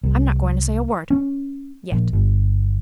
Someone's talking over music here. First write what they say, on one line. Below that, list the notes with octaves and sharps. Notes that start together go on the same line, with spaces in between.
I'm not going to say a word--yet.
C2
C#4
A#1
G1